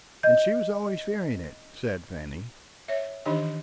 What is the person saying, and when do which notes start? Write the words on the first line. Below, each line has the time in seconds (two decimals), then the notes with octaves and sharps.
"And she was always fearing it," said Fanny.
0.23 D#5 G6
2.88 C#5 E5
3.25 D#3 E3 D4 D#4 G4 D#5